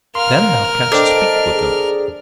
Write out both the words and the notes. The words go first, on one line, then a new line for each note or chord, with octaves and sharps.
Then thou canst speak with them.
A#4 F5 C6 F6
D4 A4 C5 D#5 G5
G#4